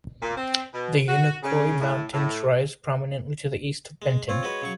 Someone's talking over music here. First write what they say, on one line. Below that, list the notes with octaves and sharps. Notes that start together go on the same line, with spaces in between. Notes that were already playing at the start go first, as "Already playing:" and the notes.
The Unicoi Mountains rise prominently to the east of Benton.
A#2
C4
B2
F#4
C#3
A2
A2
G#3
C4 F4 C#5
G#3 F#4 B4
C#3 F#3 C#6